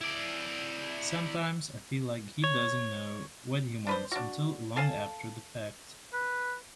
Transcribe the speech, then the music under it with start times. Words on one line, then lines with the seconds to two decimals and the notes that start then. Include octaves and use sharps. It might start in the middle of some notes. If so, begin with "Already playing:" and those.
Sometimes I feel like he doesn’t know what he wants until long after the fact.
0.01 E4 D5
2.44 C#5
3.87 D4 B4 C5
4.12 D4 F#4
4.76 A4 F5 G#5 A5
6.13 B4